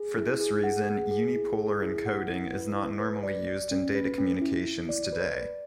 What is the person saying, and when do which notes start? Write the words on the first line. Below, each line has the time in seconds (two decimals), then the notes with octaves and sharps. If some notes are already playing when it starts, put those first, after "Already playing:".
For this reason, unipolar encoding is not normally used in data communications today.
Already playing: G#4
0.18 E4
0.41 G#4
0.64 F#5
0.88 G#4
1.11 G#4
1.35 E4
1.58 G#4
1.82 E4
2.06 F#5
2.29 E4
2.53 B4
2.76 E4
3.00 B4
3.23 D5
3.48 D5
3.71 C#4
3.95 B4
4.18 C#4
4.42 E4
4.64 E4
4.89 D5
5.12 B4
5.35 D5